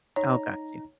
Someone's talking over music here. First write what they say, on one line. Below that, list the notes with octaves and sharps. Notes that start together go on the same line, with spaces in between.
Oh, got you.
D#4 C#5 A#5